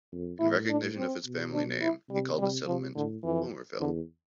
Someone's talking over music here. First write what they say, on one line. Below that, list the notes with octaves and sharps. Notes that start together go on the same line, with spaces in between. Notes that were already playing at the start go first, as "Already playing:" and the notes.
In recognition of his family name, he called the settlement "Homerville".
F2
A2 E4
D4
C4
B2
D4
E4
C3 G3
C3 G3
C3 F3
A2 D3
F2 E3
E2 D3